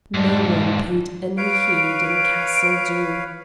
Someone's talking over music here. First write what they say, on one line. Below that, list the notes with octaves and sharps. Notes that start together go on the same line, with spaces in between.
No one paid any heed in Castle Doom.
G#2 D4
B4 C#5 F5 D7